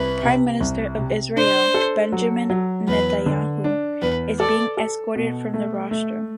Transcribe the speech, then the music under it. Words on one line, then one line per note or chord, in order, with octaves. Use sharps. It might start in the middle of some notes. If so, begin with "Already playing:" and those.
Prime Minister of Israel, Benjamin Netanyahu, is being escorted from the rostrum.
Already playing: C2 B4
C3
C2
C3
D4 C5
A4
F#3
F#3
E2 B4
D3
D4
E2 B4
A4 D5
A4
B2
A3
A3